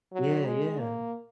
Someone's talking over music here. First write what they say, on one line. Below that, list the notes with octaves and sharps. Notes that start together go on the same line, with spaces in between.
Yeah, yeah.
F#3
G#3
A#3